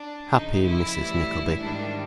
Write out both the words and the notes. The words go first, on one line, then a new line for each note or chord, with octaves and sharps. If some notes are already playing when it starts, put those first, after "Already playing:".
Happy Mrs Nickleby!
Already playing: D4
F2 C#3 F3 D#4
E4
A2 E3 G3
G#2 D#3 G3 D4